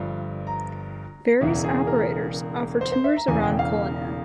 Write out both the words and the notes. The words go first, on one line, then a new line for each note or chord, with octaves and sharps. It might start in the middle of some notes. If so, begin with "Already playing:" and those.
Various operators offer tours around Cullinan.
Already playing: G1 G2 F3
A#5
E1 E2 C#3 E3 E5
G#4
A#4
C5
C5
E5
A#5
E1 E2 C#3 E3 G#5
G5
F5